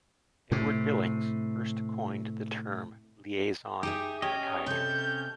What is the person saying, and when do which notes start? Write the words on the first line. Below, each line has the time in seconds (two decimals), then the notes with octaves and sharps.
Edward Billings first coined the term liaison psychiatry.
0.52 A2 C3
3.83 D#4 G4 G#4 E5
4.22 C#4 G4 C#5 D#5
4.66 C3 A4 G6